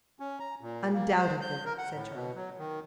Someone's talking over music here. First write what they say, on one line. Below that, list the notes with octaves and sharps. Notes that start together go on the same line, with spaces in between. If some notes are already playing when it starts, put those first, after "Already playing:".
"Undoubtedly," said Charles.
C#4
A#5
A#2
A#3
C5
G6
A#4
F#5
A2
B2
F#3
D#3